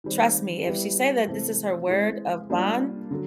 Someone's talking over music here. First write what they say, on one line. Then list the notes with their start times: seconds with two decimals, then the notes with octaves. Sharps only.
trust me, if she say that this is her word of bond,
0.04 D#3 G3 C4
0.66 G3 B3 E4 G4
1.27 C3 E3 A3 C4
1.88 G#3 C4 E4
2.50 G3 A#3 D4 F4
3.11 D3 F#3